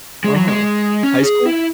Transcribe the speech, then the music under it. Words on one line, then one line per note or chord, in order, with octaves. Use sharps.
Uh-huh. High school?
G#3
F#3
G#3
C#4
G#4
E4